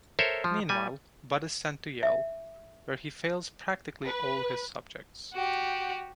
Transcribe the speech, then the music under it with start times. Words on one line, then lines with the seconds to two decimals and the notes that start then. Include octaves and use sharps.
Meanwhile, Bud is sent to Yale, where he fails practically all his subjects.
0.19 A4 A#4 C5 C#5 E5
0.44 F3
0.69 G3 G#5
2.03 E5
4.06 B4
5.34 F#4 G4